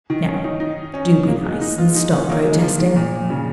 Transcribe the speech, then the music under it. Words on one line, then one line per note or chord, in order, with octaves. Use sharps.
Now do be nice and stop protesting!
D#3
C#4
D#4
D#4
C#4
A#3
G#3
D#4
F4
D#4
C#4
A#3
G#3
F3
D#3
A#2
C#3